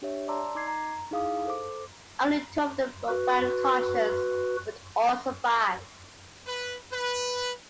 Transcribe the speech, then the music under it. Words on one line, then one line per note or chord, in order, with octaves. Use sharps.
Only two of them were found conscious, but all survived.
D4 G4 C#5 E5
D5 A5 A#5 C6 D6 E6
D#4 D#5 D6 G#6 C7
A#5
D#4 E4 G#4 F5 D6 D#6
A4 C5 D6
F#4 B4
B4
B4